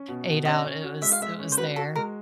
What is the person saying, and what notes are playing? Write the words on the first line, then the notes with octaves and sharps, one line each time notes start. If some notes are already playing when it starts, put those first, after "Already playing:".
ate out, it was it was there.
Already playing: C#4
B2
B2
C#4 D#5
C#4
F#4
G#3 E5
F5
G#3 E5
C#4
C5
F#4 B4
F#4 A4
G#3 A#4